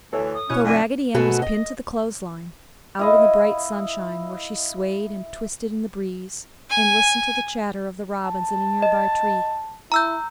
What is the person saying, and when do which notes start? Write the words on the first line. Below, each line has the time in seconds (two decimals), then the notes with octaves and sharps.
So Raggedy Ann was pinned to the clothes-line, out in the bright sunshine, where she swayed and twisted in the breeze and listened to the chatter of the robins in a nearby tree.
0.13 D2 E3 A4 C#5
0.35 D#6
0.50 B2 C#4 E4 F#6
0.65 F2 D3 A3 G#5 A#6
1.14 G#2 B2 A3 F#4 A4 G#5
1.42 D#5
2.99 E4 D#5 F5
6.70 G#5
8.24 A5
8.82 D#5
9.92 E4 A#5 E6 G6